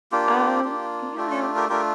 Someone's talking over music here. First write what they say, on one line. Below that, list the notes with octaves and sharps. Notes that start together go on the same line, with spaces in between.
Um, yeah,
A#3 D4 F4 G4
A#3 D4 F4
A3 D4 F4 G4
A4
G4
G4 A#4
A3 D4 F4 G4 A#4